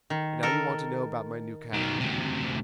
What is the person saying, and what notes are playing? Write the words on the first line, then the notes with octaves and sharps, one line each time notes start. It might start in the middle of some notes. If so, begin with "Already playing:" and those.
And now you want to know about my new catacomb.
D#3
A4 A#4
B1 D#3
D2 C3